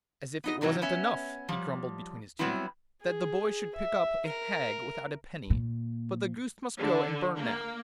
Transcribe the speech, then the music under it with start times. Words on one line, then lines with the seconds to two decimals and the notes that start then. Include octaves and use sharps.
'As if it wasn't enough,' he grumbled between his teeth, 'that the boy should pick up a hag without a penny, but the goose must go and burn now.
0.44 B3 D#4 D#5
0.61 G#2 C3 E3 F#3 D#4
0.82 B3 C#4 E5
1.49 F3 G3
2.39 F#3 G3 B3 C4 E4
3.02 G#4
3.76 E5
4.27 A#4
5.50 A#2
6.78 D3
7.35 A#3